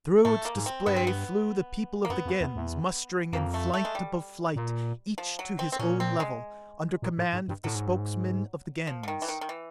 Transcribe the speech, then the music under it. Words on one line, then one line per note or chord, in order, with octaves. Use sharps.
Through its display flew the people of the Gens, mustering in flight above flight, each to his own level, under command of the Spokesmen of the Gens.
A2 A3
A#3
G#2
C4
G2 B3
C4
B3
A#3
F#2 B3
F2
E2
E2
F2 A#3
A3
A3
G#3
G3
A#2
F3
F#3
C4
C4
A#2 C#4
C4
G#3
A#2
A2
G#2
G2
A2 F#3
G#2
G2
G#2
F3
D3
D#3
E3
D#3
D#3
E3